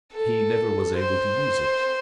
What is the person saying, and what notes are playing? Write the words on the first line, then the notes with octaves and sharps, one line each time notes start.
He never was able to use it.
A4
C5